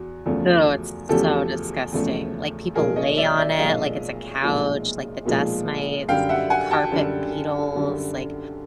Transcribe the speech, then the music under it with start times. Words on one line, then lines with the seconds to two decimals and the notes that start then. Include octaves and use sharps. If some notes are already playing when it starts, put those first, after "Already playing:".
Ew, it's so disgusting, like, people lay on it like it's a couch, like, the dust mites, carpet beetles, like
Already playing: E2 F#4
0.26 E2 C#3 F3 A3
1.09 E2 C#3 F3 A3 G4 A4
1.93 E2 C#3 F3 A3
2.75 B1 A#2 F3 G#3 G#4 A#4
2.96 C#5 D#5
3.17 D5 E5
3.38 D5 E5
3.59 B1 A#2 F3 G#3 D#5 F5
4.43 B1 A#2 F3 G#3
5.25 B1 A#2 F3 G#3
6.08 F#2 D3 G3 F5 G5
6.29 E5 F#5
6.50 F#5 G#5
6.71 G5 A5
6.92 F#2 D3 G3
7.75 F#2 D3 G3